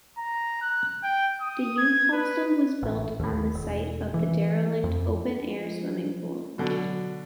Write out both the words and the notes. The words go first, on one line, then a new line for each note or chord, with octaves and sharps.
The Youth Hostel was built on the site of the derelict open-air swimming pool.
A#5
F#6
G5
D#6
G#6
B4
A1
D#2
E1
E3
F2
F3
B2 D3 F#3